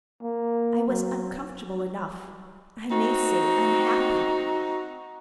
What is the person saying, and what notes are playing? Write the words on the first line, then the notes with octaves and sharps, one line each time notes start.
I was uncomfortable enough, I may say unhappy.
A#3
F#3
C4 D#4 F#4